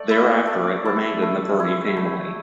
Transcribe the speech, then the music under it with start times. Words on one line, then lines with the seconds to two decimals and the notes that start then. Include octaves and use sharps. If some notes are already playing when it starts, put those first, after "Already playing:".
Thereafter it remained in the Verney family.
Already playing: A3 D5
0.10 E4 E5
0.47 A3 D5
0.85 E4 A4
1.22 A3
1.60 E4
1.97 A3